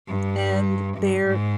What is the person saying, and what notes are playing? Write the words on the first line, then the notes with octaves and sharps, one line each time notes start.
and they're
G2
G2
G#2